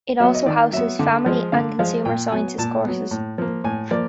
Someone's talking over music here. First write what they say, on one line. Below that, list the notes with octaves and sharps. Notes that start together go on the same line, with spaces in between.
It also houses family and consumer sciences courses.
F#3 B3 E5
D#5
D#3 D5
F#3 B3 E5
D3
F3 G#3
D3 F5
F3 G#3 F5
A#2 G5
F#3 B3 G#5
A#2 A5
F#3 B3
A2
F3 A#3
A2 G#5
F3 A#3 D5